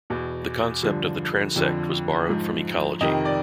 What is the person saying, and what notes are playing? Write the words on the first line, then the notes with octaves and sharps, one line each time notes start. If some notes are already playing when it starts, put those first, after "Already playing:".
The concept of the transect was borrowed from ecology.
E2 B2
G2 D3 F3
F2 D3 F3
G#2 F3
F2 C3 D#3 D#5
D5